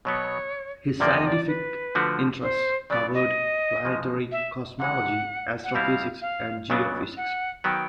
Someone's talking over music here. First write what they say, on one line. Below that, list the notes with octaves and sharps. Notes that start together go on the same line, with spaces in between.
His scientific interests covered planetary cosmogony, astrophysics and geophysics.
B2 F#3 B3 C#5
E2 C3 F3 A#3 D5
D#5
D5
B4
D3 F3 A3 D4 F#4
C5
C#3 F#3 B3 D5
D#5
C#3 F3 G#3
E5
C3 E3 G#3 F#5
F#5
B2 G3 C4 E4 F5
F5
C#2 C#3 F#3 B3 D4
F#5
D#3 F#3 B3 G5